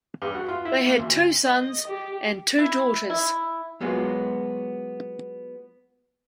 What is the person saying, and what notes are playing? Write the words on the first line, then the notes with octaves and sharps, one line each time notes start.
They had two sons and two daughters.
G2
F#4
F4
E4
A#3
D2
D#5
G4
E4
E4
F#3 G#3 B3 F4 F#4